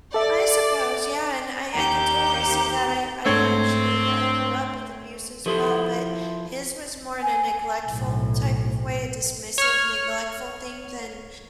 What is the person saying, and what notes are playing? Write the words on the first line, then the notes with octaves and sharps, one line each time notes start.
I suppose yeah And I I can totally see that, I I actually I grew up with abuse as well, but his was more in a neglectful type of way, a dismissive, neglectful thing than
A4 D5 E5
D#2 G4 A#5 G6
G#2 A3 C4 D4 C#5 G#6
F3 E4 G4 A4 C5
G#5
B1 A2
C#5 F6